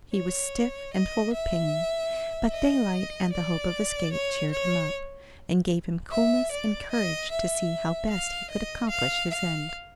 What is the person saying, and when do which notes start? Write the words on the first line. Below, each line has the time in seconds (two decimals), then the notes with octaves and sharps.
He was stiff, and full of pain, but daylight and the hope of escape cheered him up, and gave him coolness and courage to see how best he could accomplish his end.
0.13 C#5
0.94 D#5
1.33 E5
2.53 D#5
3.33 D5
4.12 C#5
4.51 C#5
6.11 E5
6.52 D5
6.91 D#5
7.31 E5
8.10 F5
8.51 D#5
8.89 F5
9.30 F5